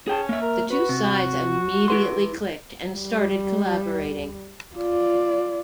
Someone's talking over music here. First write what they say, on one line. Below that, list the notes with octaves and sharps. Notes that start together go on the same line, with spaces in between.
The two sides immediately clicked and started collaborating.
C#4 G#4 G5 A5
A#3 E5
A#4
F#4 B4
C3
E4 B4 C6
G3
F4 D5